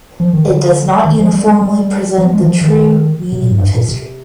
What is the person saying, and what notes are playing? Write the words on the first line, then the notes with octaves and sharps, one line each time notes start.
It does not uniformly present the true meaning of history.
F3
D#3
D3
D#3
F3
G3
G#3
G3
F3
G#3
D#3
F3
D#3
C3
A#2
G#2
G2
A#2
C3